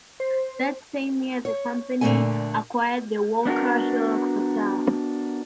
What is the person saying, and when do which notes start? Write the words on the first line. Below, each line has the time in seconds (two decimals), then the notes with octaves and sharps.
That same year, the company acquired the Walkerhill Hotel.
0.20 C5
1.45 C#5
2.01 A#2 D3 F#3 A3 A4 G#5
3.46 B3 D4 F#4 A#4